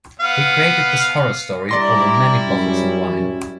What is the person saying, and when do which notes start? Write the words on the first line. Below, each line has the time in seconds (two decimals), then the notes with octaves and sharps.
We created this horror story over many bottles of wine.
0.20 B3 F5
1.69 G3 D4 E4 D5 A#5 C6 D6 A#6
2.47 F#2 C#4